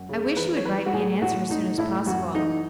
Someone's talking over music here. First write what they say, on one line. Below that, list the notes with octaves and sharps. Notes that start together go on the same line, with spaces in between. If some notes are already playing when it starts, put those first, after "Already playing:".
I wish you would write me an answer as soon as possible.
Already playing: F#2
C#3
E3 B4
C#5
E3 B4
F#4
A2 G#4
A2 F#4
A2 D#4
A2 E4
F#2 F#4
E3 D#4